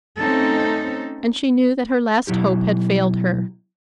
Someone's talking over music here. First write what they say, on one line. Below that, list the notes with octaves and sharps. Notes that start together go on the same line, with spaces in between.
And she knew that her last hope had failed her.
A3 C4 C#4 D#4 A4
B2 F#3 E4 G4